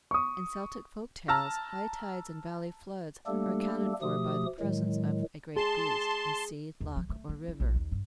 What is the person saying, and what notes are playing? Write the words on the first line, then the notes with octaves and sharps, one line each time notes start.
In Celtic folk tales high tides and valley floods are accounted for by the presence of a "great beast" in sea, loch, or river.
C#6 D#6
A5 A#5 E6 F6 A#6
G3 A3 A#3 D4 G4 A4
B2 F3 A3 G4 D#6
A2 D#3 F#3 G#3
G#4 A5 C6
D#2
F3
A3
A#3
E4
A#1
D#2
G2